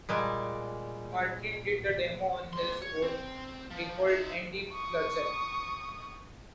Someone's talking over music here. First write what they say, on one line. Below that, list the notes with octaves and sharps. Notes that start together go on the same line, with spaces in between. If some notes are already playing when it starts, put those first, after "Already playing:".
"Martin did the demo on his own," recalled Andy Fletcher.
A#2 G3 G#3
A#3 C6
C#5
C4
F3
D#4 E5
C#6 D#6